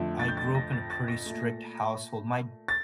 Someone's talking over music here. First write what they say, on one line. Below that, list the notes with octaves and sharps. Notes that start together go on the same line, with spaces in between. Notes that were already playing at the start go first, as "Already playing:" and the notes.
I grew up in a pretty strict household, my
Already playing: F2 D3 F3 A3
A6
G6
A6
A#6
A6
A6
A#6
A#2 A3
A6